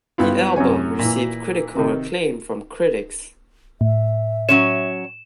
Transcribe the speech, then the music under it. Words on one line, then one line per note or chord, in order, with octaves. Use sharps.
The album received critical acclaim from critics.
G2 B3 E4 F4
F#2 C3 C#5 G#5
A#2 E3
C3 D#3
A2 E5
F#3 C#4 C#5 E7